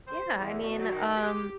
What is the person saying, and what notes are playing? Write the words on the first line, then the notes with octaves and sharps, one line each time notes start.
Yeah. I mean, um,
C5
E2
B2
F#3
D#3
G4